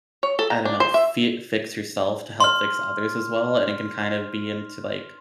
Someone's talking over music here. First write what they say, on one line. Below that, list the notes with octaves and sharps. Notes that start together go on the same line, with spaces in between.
I don't know, f fi fix yourself to help fix others as well, and it can kind of be into, like,
C#5
A4
A#5
D4
C5
E5
C6 F6